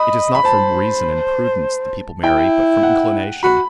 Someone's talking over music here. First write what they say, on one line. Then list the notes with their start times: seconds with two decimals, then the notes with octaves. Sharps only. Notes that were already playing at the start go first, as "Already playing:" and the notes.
It is not from reason and prudence that people marry, but from inclination.
Already playing: D#5 B5
0.35 B5
0.44 C5 A5
2.24 E4 G5
2.83 F#5
3.43 F#4 B5